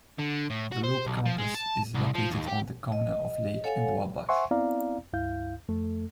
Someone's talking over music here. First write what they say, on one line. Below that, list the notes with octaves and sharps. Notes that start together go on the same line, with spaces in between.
The Loop campus is located on the corner of Lake and Wabash.
D3
A2
F#4
C5
B1
F3
G#3
A5
C2
F3
D#2
G4
D#5
A4 C#5 F5 F#5 G#5
C5 E5 F#5 G#5 C6 C#6
B3 C4 E4 D5 F5 A#5
C#2 G2 E4 F5 G6
F2 A3 A4